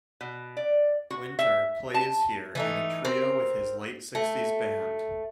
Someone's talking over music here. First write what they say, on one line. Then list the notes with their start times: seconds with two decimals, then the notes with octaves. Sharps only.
Winter plays here in a trio with his late-sixties band.
0.21 B2
0.57 D5
1.11 F#4
1.39 E5
1.94 A5
2.55 E3 A3 D#4
3.05 C4 A#4
4.15 A3